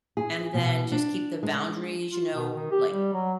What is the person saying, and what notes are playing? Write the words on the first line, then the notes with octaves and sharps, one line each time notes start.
And then, just keep the boundaries, you know, like,
G#4
B2
D4
G#3
F4
B2
D#3
G4
G3
F#3